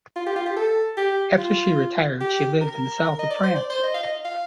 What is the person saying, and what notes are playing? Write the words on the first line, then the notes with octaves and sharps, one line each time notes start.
After she retired she lived in the south of France.
F4
G4
F4
G4
A4
G4
F4
G4
A#4
D#5
D5
C5
D5
C5
D#5
F5
D#5
F5